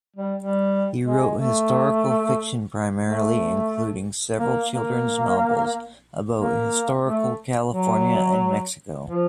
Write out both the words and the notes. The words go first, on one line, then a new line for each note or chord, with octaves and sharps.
He wrote historical fiction, primarily, including several children's novels about historical California and Mexico.
G3
G3
G#3
A3
A3
A#3
A#3
A#3
A3
F#3
F3